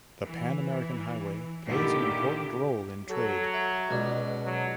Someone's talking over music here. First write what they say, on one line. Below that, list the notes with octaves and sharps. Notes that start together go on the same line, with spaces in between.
The Panamerican Highway plays an important role in trade.
E3
A#2 D3 D#3 E4 G4
F#3 A4
E5
C#2 B2 D4
F#3